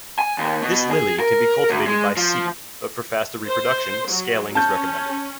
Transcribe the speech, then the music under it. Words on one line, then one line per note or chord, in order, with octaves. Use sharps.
This lily can be cultivated by seed, but for faster reproduction scaling is recommended.
G#5
D#2
B2
G#4
A#4
D2
G#3
F3
C5
F#3
C#4 A5 G6